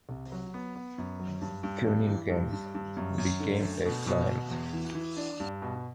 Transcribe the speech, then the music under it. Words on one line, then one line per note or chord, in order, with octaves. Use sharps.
Cunningham became a client.
C2
F#3
B3
B3
F#2
F#3
G2
G2
G2
E3
G2
G2
G2
F#2
F#2
D3
A3
B2
B2
B2
E2
E3
E3
D4
G2
B2